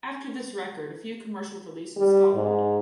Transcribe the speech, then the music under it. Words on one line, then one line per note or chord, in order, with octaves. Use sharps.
After this record, a few commercial releases followed.
G3
G#2